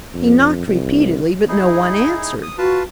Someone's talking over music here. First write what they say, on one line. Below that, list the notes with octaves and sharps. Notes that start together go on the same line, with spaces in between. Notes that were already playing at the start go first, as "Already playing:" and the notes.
He knocked repeatedly but no one answered.
F2
C2
D#4 E4 G#4
D#6
F4 F#4 B4 A5